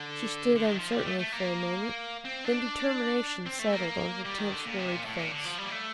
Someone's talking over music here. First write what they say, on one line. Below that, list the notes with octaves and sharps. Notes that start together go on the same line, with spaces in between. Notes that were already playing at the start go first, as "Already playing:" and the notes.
She stood uncertainly for a moment, then determination settled on her tense worried face.
Already playing: D3
D3
D#3
F3
G3
A3
A3
A#3
C4
D4
C4
A3
A#3
G3
D#3
D3
A#2
C3
A#2
A2
A#2
D3
F3
G3
A#3
A3